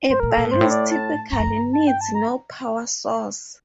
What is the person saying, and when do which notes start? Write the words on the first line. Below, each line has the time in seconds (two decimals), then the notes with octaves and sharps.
A balise typically needs no power source.
0.09 G2 C5
0.20 A#2 A#4
0.31 A4
0.37 A#2
0.45 A2
0.51 G2 C5
0.61 A2
0.71 D5
0.91 A5
1.32 G2 A#5
1.39 F2
1.47 G2
1.73 A5
1.87 G5
2.01 A5
2.15 A#5